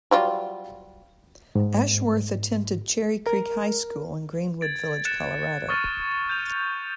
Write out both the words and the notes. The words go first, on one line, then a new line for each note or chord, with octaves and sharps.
Ashworth attended Cherry Creek High School in Greenwood Village, Colorado.
F#3 G3 F4
G#2
A#4
G#6 A6 D7
F#6 A6 C#7 E7
C#6 D#6 F6 A6 C#7 D#7
G6 D#7 F7